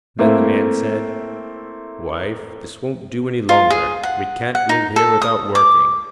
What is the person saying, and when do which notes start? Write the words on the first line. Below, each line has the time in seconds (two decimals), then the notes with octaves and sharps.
Then the Man said: 'Wife, this won't do any longer; we can't live here without working.
0.19 A3 A#3 C4 E4
3.49 F4
3.70 G#4
4.03 F#5
4.55 F#5
4.69 D#4
4.96 A4
5.22 D#6
5.55 D6